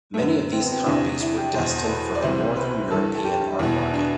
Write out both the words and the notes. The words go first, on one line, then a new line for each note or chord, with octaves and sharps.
Many of these copies were destined for the Northern-European art market.
A3
F#2 D3 B3
C4
B3
C4
E2 C3 E3 D4
E4
G4
E2 B2 C5
A4
B4
D5
C2 C3 E3 C5
B4
G2 E3 A4
A4
G4
E2 B2 E4
D4